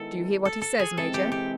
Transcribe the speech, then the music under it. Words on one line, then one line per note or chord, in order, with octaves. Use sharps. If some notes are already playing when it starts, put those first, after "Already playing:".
"Do you hear what he says, major?"
Already playing: D#3 G#3 B3 E4 A4
A4
A4
G#4
C3 E3 G#3 C4 A4
G4
G4